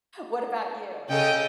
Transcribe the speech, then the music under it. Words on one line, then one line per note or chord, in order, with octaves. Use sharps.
What about you?
C#3 A4 D#5 G5